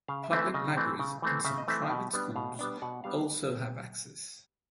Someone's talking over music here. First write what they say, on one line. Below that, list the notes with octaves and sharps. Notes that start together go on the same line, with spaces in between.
Public libraries and some private schools also have access.
C#3 F5
E5
E3 A3 C4
E5
C#3 D#5
E3 A3 C4
C#3
E3 A3 C4
C#3 E5
D#5
E3 A3 C4 E5
B2
G3 B3 D4
B2 F5
G3 B3 D4
B2 F#5
G3 B3 D4 F5